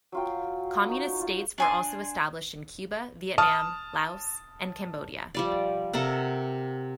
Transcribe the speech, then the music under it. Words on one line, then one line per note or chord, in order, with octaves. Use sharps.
Communist states were also established in Cuba, Vietnam, Laos, and Cambodia.
F#3 F4 G5
D#4 C#5
F4
D4 G#5 C6
A5 D#6 F6
F3 G3 D5
C3 A4 A#4 F#5